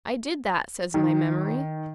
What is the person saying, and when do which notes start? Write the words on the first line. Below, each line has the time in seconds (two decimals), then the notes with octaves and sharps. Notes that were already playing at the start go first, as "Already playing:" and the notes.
"I did that," says my memory.
0.94 D#3